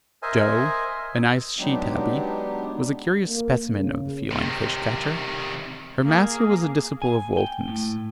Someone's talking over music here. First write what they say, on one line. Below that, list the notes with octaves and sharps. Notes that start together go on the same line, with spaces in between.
Joe, a nice she-tabby, was a curious specimen of the feline fish-catcher. Her master was a disciple of Walton's.
A#4 C5 D#5 E5 G#5
F#3 G#3 B3 D4 D#4 G4
A#3
C#3
C3 D#3
A#3 G#4
G#5
G5
A2